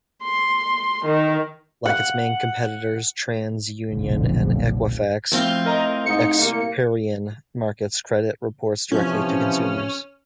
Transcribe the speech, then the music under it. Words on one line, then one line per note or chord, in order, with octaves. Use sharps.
Like its main competitors, TransUnion and Equifax, Experian markets credit reports directly to consumers.
C6
D#3
F#5
F1 B1 F2 A#2 D3 F3
A2 F3 C4 F4 F6
A#4 D#5 A#5
G#2 D#4 C#7
C2 A#3
C3 E3 F3 C#4